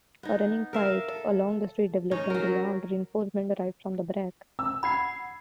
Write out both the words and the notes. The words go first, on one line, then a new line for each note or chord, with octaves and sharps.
A running fight along the street developed until armed reinforcements arrived from the barracks.
B3 D#4
A#4 E5 F5
A4
C#4 D#4 C#5
F#3 A#4
E6
F#5 B5 G#6 C7